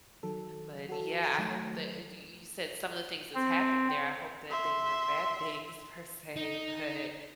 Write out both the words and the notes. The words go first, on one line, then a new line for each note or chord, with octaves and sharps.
but, yeah, I hope that d y you said some of the things that's happened there, I hope that they weren't bad things per se, but
D#3 F#3 A4
F#4 A4
D#3 F#3 A3
C4
E5 C6
D#4